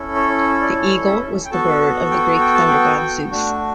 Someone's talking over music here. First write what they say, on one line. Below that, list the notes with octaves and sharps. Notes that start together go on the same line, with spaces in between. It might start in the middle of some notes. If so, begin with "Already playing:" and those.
The eagle was the bird of the Greek thunder-god Zeus.
Already playing: C#4 E4 A4
C#5
D5
E5
G5
B3 F#4 A4 A5
A5
G5
G5
A5
G5
A3 D4 F#4